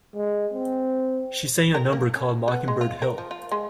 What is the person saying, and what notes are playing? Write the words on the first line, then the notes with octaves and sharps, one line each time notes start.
She sang a number called "Mockingbird Hill".
G#3
C4
A#4
A#3
C#4
B3
G#3
F4
A#4
F3
F4
G#3